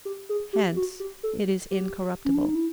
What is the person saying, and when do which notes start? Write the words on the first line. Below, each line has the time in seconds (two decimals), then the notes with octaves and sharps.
Hence it is incorruptible.
0.05 G4
0.29 G#4
0.53 G4
0.76 F#4
1.00 G4
1.23 A4
1.71 G4
2.25 C#4
2.35 D4
2.45 D#4
2.55 E4